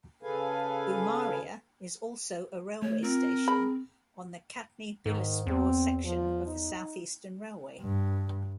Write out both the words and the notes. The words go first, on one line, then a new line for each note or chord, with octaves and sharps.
Umaria is also a railway station on the Katni-Bilaspur section of the South-Eastern Railway.
C#3 G#4 A4 B4 F5 G#5
A3 C#5
C4 F4 A#4
G#4 B5
G#2 D#3
E2 C4
F3
D#4
G2